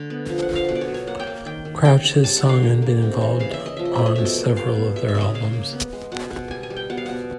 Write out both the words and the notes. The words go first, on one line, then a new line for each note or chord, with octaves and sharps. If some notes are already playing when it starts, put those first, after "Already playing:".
Crouch has sung and been involved on several of their albums.
Already playing: D3 A3
B3
F3
F#5
F3
F5
B2 F#5
D5
C#5
F#3
C#5
A#3 F#5
G5
A#3
D#3 G5
D#3
C#3 G5
C#3
G3 A5
F#5
D3
F5
A#3
A#3
C3
E3
C#3 F5
E5
C#3
D#5
F3 E5
D#5
A3 E5
D#5
B2 E5
D#5
A#3
G3 F5
B3
G#3 E5
E5
C#3
D#5
C#3 F5
A#3
B3
G#3
B2 F#5
B2
G3 G#5
G#5
G3
G5
B2 F#5
F5
B2 F#5